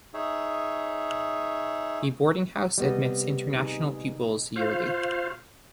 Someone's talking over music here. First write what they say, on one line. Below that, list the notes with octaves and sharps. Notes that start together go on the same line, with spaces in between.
The boarding house admits international pupils yearly.
D#4 G#4 C#5 E5
C3 G3 B3 D#5
D#4 G#4
F4 C5 F5